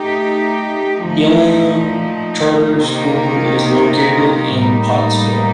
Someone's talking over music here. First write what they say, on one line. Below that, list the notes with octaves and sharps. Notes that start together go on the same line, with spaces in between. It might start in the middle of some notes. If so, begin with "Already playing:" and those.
Gillingham Charter School is located in Pottsville.
Already playing: A3 D#4 G4
A#2 F3 A3 D#4
C3 D#3 A#3 D#4 A#4
A2 G3 A#3 D#4